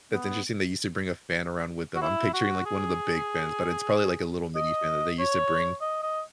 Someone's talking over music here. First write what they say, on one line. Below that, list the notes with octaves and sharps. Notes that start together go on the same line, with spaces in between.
that's interesting they used to bring a fan around with them, I'm picturing, like, one of the big fans, but it's probably, like, a little mini fan that they used to bring.
B3
F#4
E4
F#4
G#4
D#5
C#5
D#5
D#5